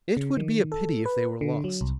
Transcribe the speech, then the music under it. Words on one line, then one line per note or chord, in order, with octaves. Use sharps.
It would be a pity if they were lost.
C#3
D#3
A4
B4
D3
F#3
C2